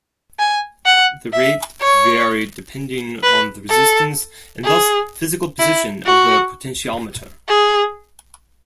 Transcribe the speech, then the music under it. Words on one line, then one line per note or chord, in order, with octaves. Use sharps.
The rate varied depending on the resistance, and thus physical position, of the potentiometer.
G#5
F#5
E5
C#5
B4
A4
G#4
E4
F#4
G#4